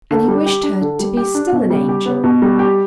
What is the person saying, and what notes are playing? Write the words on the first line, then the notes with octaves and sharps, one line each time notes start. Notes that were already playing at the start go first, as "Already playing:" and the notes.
And he wished her to be still an angel.
D3
G3
G4
D4
D3
G3
G4
D4
B2
G3
G4
B3
B2
G3
G4